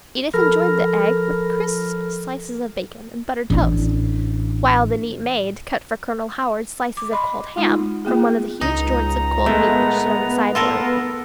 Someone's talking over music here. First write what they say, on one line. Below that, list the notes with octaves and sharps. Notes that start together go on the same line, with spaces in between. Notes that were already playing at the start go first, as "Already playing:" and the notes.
Edith enjoyed the eggs with crisp slices of bacon, and buttered toast, while the neat maid cut for Colonel Howard slices of cold ham from one of the huge joints of cold meat which stood on the sideboard.
F3 A4 A#4 B5 F6 A#6
A1 D4
D6
D#5 B5 C6
G#3 D#4 F4
A#3 B3 F4 G#4
C#2 D#4 A#5
A#2 G#3 A3 B3
F4 A4 A#4